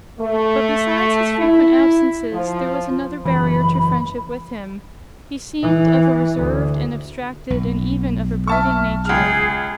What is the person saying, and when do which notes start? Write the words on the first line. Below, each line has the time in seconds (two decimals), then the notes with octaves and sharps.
But besides his frequent absences, there was another barrier to friendship with him: he seemed of a reserved, an abstracted, and even of a brooding nature.
0.19 A3
1.38 E4
2.33 F3
3.25 F#1 E3 B5
5.62 E3
6.37 D2
7.50 B1
8.47 E5 A5 C#6 F6
9.05 C#2 G#4 F6